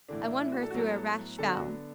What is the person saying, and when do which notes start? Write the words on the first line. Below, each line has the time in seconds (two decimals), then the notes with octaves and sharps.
I won her through a rash vow.
0.09 A2 D3 E3 D4
0.25 E4
0.41 E4
0.52 F#4
0.63 A4
0.70 F#4
0.74 A2 F#3 B3 A4
1.38 D3 B3 D4 A4
1.49 F#4
1.61 F#3